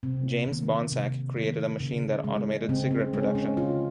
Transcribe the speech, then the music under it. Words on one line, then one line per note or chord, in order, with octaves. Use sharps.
James Bonsack created a machine that automated cigarette production.
C3 C4
D#3 A#3
C3
D#3 A#3
C#3
G#3
C#3 C4
C4
G#3 C#4
C#4
C#3 F4